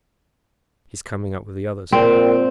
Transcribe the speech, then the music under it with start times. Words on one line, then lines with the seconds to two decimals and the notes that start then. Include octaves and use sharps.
He is coming up with the others.
1.92 A#2 C4